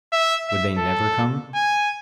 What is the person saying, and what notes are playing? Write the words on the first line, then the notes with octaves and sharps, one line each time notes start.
Would they never come?
E5
E5
A4
G#5